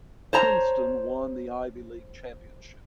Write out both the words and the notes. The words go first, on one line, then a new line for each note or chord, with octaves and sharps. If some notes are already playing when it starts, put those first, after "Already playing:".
Princeton won the Ivy League championship.
C5 C#5 A#5